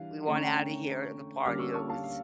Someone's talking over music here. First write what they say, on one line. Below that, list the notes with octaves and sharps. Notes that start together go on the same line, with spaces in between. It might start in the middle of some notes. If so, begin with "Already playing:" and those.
we want outta here, the party, yeah, was
Already playing: E3 G3 D4 F5
D3 A3 C#4 A#5
C#6
G5 A#5
D3 G3 A#3 C#4 D6 F6
C#6 E6
A5 C#6
F5 A5
F5